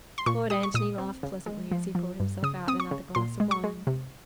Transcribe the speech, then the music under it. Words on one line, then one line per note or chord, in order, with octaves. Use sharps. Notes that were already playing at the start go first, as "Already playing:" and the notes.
Lord Antony laughed pleasantly as he poured himself out another glass of wine.
C6
A#2 C#6
G3 D#6
C#6
A#2 D#6
C4
C#3
G#3
F3
F3
G2
C#3 D#6
C4 D#6
C#6
C#3
A#2 C6
G#3
C#6
G#3
C3